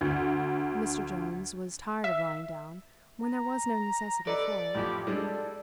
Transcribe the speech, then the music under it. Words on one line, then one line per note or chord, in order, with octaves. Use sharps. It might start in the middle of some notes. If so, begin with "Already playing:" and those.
Mr. Jones was tired of lying down when there was no necessity for it.
D2
E5
A#5
A4 B4 D5 D#5
A1 F2 G4 B5
G3 G#3 D4 A4